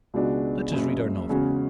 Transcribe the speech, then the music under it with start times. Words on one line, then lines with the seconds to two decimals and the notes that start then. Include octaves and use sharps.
"Let us read our novel."
0.14 C#2 B2 G#3 D4 F#4
0.72 F#1 F#2 C#3
1.29 E2 C#3 G#3 C#4 F#4